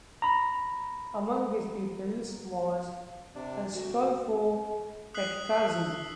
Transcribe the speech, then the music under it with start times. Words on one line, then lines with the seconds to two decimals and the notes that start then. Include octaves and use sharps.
Among his pupils was Astolfo Petrazzi.
0.22 A#5 B5
3.35 C3 D4
3.73 D2 F#4
5.14 D#6 F#6 B6 C7 F#7
5.84 E6